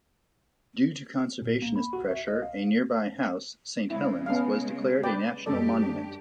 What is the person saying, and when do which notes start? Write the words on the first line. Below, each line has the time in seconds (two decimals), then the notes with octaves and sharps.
Due to conservationist pressure, a nearby house, Saint Helen's, was declared a national monument.
1.42 A#2
1.62 A#3
1.76 B5
1.93 F#4
2.08 E5
2.28 D#5
2.42 F5
3.90 C#3 G#3 E4
4.26 B3 C#4 F5
5.03 B4 D5 G5
5.46 F#2 G3 G#3 G4 A4 D5
5.83 D4